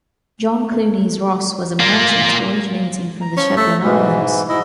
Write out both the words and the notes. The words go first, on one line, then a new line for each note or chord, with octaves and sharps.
John Clunies-Ross was a merchant originating from the Shetland Islands.
A#3 F4
A#5
F3 C#4
A3
G#2 B2 E3
G#2 E4 D#5